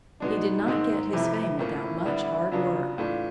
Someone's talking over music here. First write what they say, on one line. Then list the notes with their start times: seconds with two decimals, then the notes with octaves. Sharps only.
He did not get his fame without much hard work.
0.20 B2 G#3 B3 D4 D#4
0.67 G#2 D#3 G#3 C4
1.13 F2 C3 E3 A3 E4
1.59 A2 F3 A#3 C#4 E4
2.05 D3 G3 B3 D4
2.51 C#3 F#3 B3 D4 F4
2.97 A2 E3 A3 D4 F4